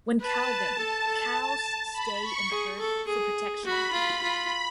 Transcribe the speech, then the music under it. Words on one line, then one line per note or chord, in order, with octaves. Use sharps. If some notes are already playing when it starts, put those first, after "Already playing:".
When calving, cows stay in the herd for protection.
B4 A5
A4
A4
B5
C#6
G#4
A4
G#4
F#4 B5
F4
F4